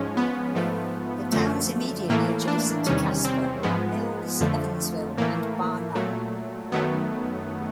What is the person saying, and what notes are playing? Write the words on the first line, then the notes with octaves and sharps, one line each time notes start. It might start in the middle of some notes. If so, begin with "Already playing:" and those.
The towns immediately adjacent to Casper are Mills, Evansville, and Bar Nunn.
Already playing: G#2 F3 G#3 C#4
B3
G#2 F3 A3
F#2 D3 F3 A3
A2 E3 A3 A#3
D4
E2 C3 D#3 G3 C#4
C4
G#2 F3 G#3 B3
F2 D3 F3 A3
A2 E3 A3 A#3
A#2 F#3 A3
F#2 D#3 F#3 A3 B3